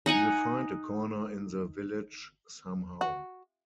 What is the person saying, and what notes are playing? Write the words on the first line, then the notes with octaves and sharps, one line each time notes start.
We'll find a corner in the village somehow.
D#4 F#5 G#5 A#5
F#4